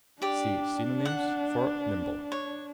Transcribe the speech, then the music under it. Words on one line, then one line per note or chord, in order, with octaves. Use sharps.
See synonyms for NIMBLE.
D4 G4 D5
F#5
C#5